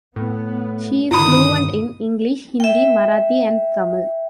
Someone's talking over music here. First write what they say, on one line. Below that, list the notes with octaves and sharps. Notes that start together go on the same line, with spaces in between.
She is fluent in English, Hindi, Marathi and Tamil.
A2 B3
G2 A#2 D3 D#3 E4 B5 D#6
E5 G5